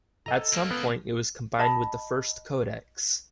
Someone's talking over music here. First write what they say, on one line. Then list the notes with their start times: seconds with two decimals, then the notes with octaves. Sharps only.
At some point it was combined with the first codex.
0.26 A4 D#5 A#5
0.53 C#2 A#3
0.71 B3
1.59 D#5 A5 B5